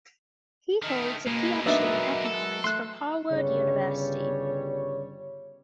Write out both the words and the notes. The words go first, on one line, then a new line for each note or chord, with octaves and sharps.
He holds a Ph.D. in economics from Harvard University.
D#3 A3
B2 G#3 A#3
F#3 B3 D4 D#4 A#4 B4 E5
A4
A3 C6 F#6
G1 C#3 G3 C#5